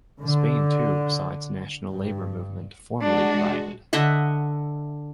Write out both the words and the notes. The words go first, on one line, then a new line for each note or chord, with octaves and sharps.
Spain, too, saw its national labor movement formally divided.
D3
G2
G#3 D4 F#4
D3 D#5 E5 F#5